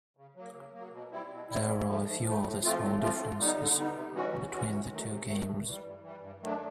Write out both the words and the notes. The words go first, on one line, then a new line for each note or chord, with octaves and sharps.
There are a few other small differences between the two games.
C#3
F#3 A#3
C#3
F#3 A#3
B2
G3 C4 E4
B2
G3 C4 E4
G#2
F3 A3
G#2
F3 A3
A2
F3 A3 C4 F4
A2
F3 A3 C4 F4
D3
G3 B3 D#4
D3
G3 B3 D#4
C3
E3 G#3 C#4 F#4
C3
E3 G#3 C#4 F#4
C3
D#3 F#3 A3
C3
D#3 F#3 A3
G2
E3 G3
G2
E3 G3
G2
D#3 F#3 A3 D4